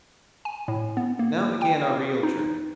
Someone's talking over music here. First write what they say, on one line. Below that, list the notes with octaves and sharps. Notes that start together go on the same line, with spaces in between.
Now began our real journey.
G#5
A2
B3
A#3
G5
D#4